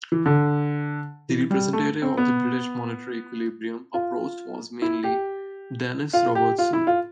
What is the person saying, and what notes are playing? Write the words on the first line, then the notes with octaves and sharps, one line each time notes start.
The representative of the British monetary-equilibrium approach was mainly Dennis Robertson.
E3
D3
E3
G3
A3
C4
B3
F4
E4
G4
F4
G4
F4
E4
F4